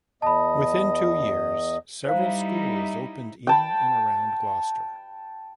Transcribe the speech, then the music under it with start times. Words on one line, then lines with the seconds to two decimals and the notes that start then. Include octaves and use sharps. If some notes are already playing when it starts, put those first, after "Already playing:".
Within two years, several schools opened in and around Gloucester.
0.22 E2 D#5 A5 B5
2.05 G3 D#4 E4 C5 F5
3.47 G5 A5 B5